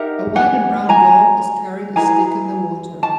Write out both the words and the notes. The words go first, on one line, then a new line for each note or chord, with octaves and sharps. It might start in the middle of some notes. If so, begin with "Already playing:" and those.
A white and brown dog is carrying a stick in the water.
Already playing: D#4 G4 A#4 E5 F#5
F#5 G#5
G#5 A#5
E4 G#4 B4 G#5 A#5
A5